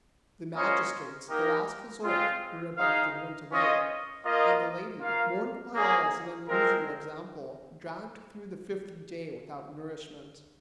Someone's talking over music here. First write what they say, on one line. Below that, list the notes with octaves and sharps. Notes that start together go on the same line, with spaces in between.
The magistrates, the last resort, were rebuffed and went away, and the lady, mourned by all as an unusual example, dragged through the fifth day without nourishment.
A#3 C#4 F4 C5 D#5
A#3 D#4 G4 A#4
G#3 C4 F4
D#4 G#4 C5 F5
C#4 F4 C5 D#5
A#3 F4 A#4 D#5
A#3 F4 A#4 F5
A#3 C#4 G#4
G#3 C4 F4 A#4